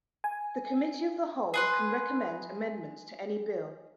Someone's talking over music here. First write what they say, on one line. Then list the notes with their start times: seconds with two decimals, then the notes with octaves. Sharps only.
The Committee of the Whole can recommend amendments to any bill.
0.24 G#5
1.54 G#4 B4 C6